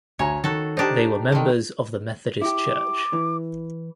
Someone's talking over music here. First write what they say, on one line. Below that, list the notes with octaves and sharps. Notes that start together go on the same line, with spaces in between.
They were members of the Methodist Church.
D2 C#5 G#5 A#5
D#3 F#4 A4
D4 D#4 G4 C5
D3 D#3
E4 G4 D6
E3